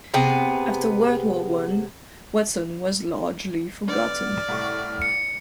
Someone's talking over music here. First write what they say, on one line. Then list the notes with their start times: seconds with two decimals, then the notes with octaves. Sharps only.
After World War One Watson was largely forgotten.
0.14 C3 B3 G#4
3.88 D3 B3 D5 F6
4.48 C2 A2 C#6
5.02 C#7